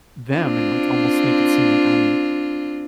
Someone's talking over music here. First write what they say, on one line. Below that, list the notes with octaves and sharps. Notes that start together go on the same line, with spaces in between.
them," and, like, almost make it seem like I'm
C4 D4 F4